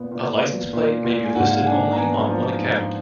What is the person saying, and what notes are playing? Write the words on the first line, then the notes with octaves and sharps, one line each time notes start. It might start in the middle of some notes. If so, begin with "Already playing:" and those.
A license plate may be listed only on one account.
Already playing: A#2 B3
A#2
B3
A#2
A#2
G#5
G#2 F#5
F5
F#5
D4 G#5
A#5
B3 G#5
F3
G#2